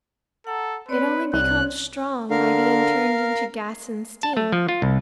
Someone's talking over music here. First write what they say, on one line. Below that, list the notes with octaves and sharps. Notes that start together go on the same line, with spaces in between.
It only becomes strong by being turned into gas and steam.
A4 F#5 A#5
C4 B4 C#5 D5
C2 F#6
D3 A#4 F5
A5
A3
F3
F4
C2